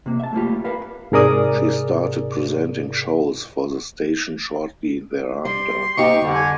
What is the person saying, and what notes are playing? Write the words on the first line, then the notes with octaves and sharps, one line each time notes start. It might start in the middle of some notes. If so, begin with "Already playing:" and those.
She started presenting shows for the station shortly thereafter.
C3 A#3
E5 A5
A3 A#3 F4 G4
A#4 B4 F5 A5 B5
G#2 C3 G#4 A#4 D5 D#6
G3 C6
G#2 A#3 D#4 G4 C#6
F2 D3 G3
G#5